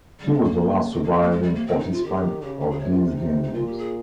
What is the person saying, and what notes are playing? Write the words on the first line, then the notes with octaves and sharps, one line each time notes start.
He was the last surviving participant of these Games.
C#3 G3
G#3
A#3
C#3
C3 C4
A#3
C4
A#3
G#3
G3
A#3
C4
D#4
F4
D#3 G4
C#3 G4
G4
G#4
C3 C#5
F4
C#4
C3 D#4
D#4
A#2 F4
G4
G#4